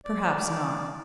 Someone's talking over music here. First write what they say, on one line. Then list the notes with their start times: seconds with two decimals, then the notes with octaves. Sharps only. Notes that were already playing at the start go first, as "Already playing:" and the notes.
'Perhaps not.
0.05 D5